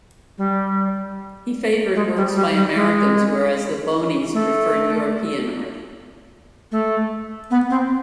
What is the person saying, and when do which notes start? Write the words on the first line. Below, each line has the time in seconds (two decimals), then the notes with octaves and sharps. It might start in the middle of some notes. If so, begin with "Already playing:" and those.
He favoured works by Americans, where as the Bonis preferred European art.
0.38 G3
1.95 G#3
2.16 G3
2.35 G3
2.55 G3
2.75 G#3
4.34 A3
6.72 A3
7.51 B3
7.70 C4